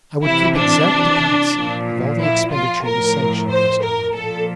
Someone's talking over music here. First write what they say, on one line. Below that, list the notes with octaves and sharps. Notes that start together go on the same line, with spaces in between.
'I would keep exact accounts of all the expenditure you sanctioned, Mr Boffin.
C3 E3 E4
D4
A#2 F3
E4
F4
A2 F3 A#4
C5
A#4
A#2 F3 A4